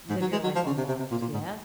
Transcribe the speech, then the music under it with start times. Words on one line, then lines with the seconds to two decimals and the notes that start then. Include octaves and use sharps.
live your life on Mars. Yeah?
0.10 G#2
0.21 F#3
0.32 G#3
0.44 F#3
0.55 F3
0.66 C#3
0.77 C3
0.88 C3
0.99 C3
1.11 A#2
1.22 A#2
1.34 G#2